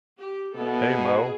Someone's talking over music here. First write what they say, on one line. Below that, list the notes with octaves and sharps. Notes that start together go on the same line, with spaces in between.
Hey Moe!
G4
B2 B3 E4 A4
G#4